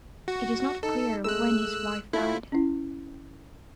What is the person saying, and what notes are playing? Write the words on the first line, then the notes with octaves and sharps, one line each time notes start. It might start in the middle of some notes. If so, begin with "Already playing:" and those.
It is not clear when his wife died.
F#4
D#4 A4
G#3 A3 E6 F#6
A3 E4 F4
C#4 E4